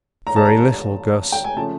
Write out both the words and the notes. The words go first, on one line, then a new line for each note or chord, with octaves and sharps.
"Very little, Guss."
A#5
A5
A#5
G5
G#5
C#3 F3 A3 A5